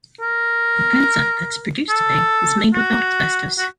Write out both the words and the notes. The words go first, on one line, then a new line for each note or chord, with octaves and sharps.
The transite that is produced today is made without asbestos.
A#4
A4
F#4
F#4